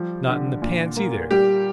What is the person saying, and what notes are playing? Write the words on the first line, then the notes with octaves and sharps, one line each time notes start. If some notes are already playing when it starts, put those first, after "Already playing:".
Not in the pants, either?
Already playing: F3 G3
D3
A#2
A#3
G3 G4